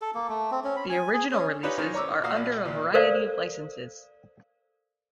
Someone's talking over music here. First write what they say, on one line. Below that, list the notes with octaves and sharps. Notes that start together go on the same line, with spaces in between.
The original releases are under a variety of licenses.
A4
A#3
A3
C4
C#4
B5
G#5
G#4
C#4
D#4 F4 G4 B4 C#5
D#3 C#4 D#4 A#4 C5
C#5 A#5 D6 E6
A#2 F#4 F5 D#6
A#1
D2 A#2
A4 A#4 C5 D5 F5